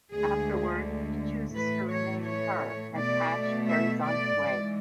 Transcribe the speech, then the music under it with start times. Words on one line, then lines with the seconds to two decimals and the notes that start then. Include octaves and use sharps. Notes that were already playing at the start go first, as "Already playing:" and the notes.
Afterward, it chooses to remain with her as Ash carries on his way.
0.12 D2 D3 G#3 G#4
1.54 A2 E3 A3 B4
1.90 C#5
2.25 C#5
2.96 B2 A3 D5
3.67 E5
4.03 D5
4.37 G#2 E3 G#3